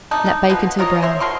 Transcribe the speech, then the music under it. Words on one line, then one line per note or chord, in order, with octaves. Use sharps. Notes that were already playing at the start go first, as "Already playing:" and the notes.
Let bake until brown.
A3 D4 D#4
B2 F3 B3
F4 A#4 C#5 D#5
C5 C#5 E5
B2 A#4 C6 C#6